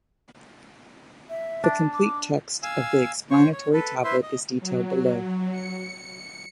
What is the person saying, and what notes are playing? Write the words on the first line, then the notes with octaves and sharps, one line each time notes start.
The complete text of the explanatory tablet is detailed below.
E5
D4
D6
F5 G#5 E6
C5 C#5 C#6
C#5
A4 B4
E4 B4 C5 E5 C6
D#5
F#3
C#7